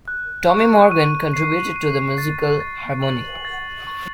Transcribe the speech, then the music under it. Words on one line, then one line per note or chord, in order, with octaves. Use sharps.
Tommy Morgan contributed to the musical harmony.
F#6
C#6
D#7
C7
D#7
A6
A6
F#7
A6
C#6